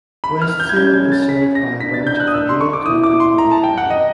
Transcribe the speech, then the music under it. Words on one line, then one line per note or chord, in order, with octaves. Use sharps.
West Salem is served by a branch of the Wayne County Public Library.
B5
F6
G6
G#6
C#4 G6
G#6
A6
B6
A#6
D4 B6
A6
G6
F#6
D#6
E6
C6
C#6
D6
E4 D#6
D6
C6
A#5
A5
G5
F#5
D#5